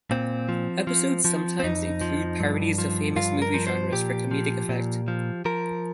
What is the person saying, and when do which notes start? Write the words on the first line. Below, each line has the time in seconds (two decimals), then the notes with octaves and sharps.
Episodes sometimes include parodies of famous movie genres for comedic effect.
0.11 A#2 C4
0.49 F3
0.87 F3
1.25 F3
1.60 C4
1.63 F2 D#4
2.01 F3
2.40 G2
2.78 F3
3.16 G2 F4
3.42 A#4
3.54 F3
3.67 C5
3.93 A#2 G4
4.31 F3
4.69 A#2
5.08 F3
5.45 F3 A#4